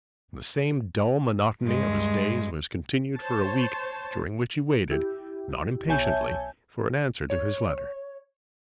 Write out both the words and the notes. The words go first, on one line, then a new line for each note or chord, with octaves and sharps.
And the same dull monotony of his days was continued for a week, during which he waited, not impatiently, for an answer to his letter.
G2 G#3
C5 C#5 A5
E4 G4
B1 C#5 E5 G#5 A5 G6
C#5